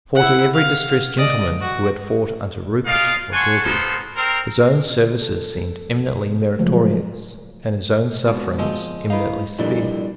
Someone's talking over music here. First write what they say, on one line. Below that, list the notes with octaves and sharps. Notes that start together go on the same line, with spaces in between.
For to every distressed gentleman who had fought under Rupert or Derby his own services seemed eminently meritorious, and his own sufferings eminently severe.
E4 F#5
F5
D5 D#5
F#4
D#4 F4 G#4 D5 F5
C#5 F#5 G#5 A5 C6 C#6
A#3 B3 D#4 A4 A#4 C5
C4 A#4
A4
C#3 F3 F#3 G#3 A3
G#2 B2
F3 G#3 C4
D#4 E4 B4 F5
F2 A#2 G3 D4 E4